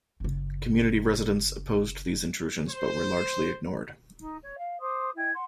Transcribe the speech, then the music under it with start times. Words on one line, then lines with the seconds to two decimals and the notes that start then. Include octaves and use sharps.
Community residents opposed these intrusions but were largely ignored.
0.20 F#1 C#3
2.69 C5
4.19 D#4
4.43 C#5
4.58 F5
4.81 C5 C6 D6 D#6
5.16 E4 D#5 G5 G#6
5.33 F#5 C6